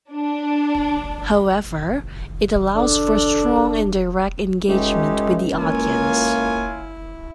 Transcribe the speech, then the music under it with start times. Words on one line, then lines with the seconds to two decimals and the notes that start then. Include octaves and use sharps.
However, it allows for strong and direct engagement with the audience.
0.12 D4
2.76 D4 A4
4.68 C#2 G#3 A3 D#4 G4
5.56 A#3 E4 F4 C#5 G#5